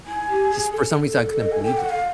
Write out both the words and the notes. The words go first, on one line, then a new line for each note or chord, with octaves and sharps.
Just for some reason I couldn't believe them.
E4 G#5
G4
G#4
A4
D#5
G#5
G5
F#5
F5